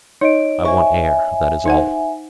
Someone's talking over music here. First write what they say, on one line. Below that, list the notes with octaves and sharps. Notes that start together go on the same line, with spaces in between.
"I want air, that is all."
D#4 C#5 D#5 D7
C5 E5 G#5 C#6
D#4 C5 F#5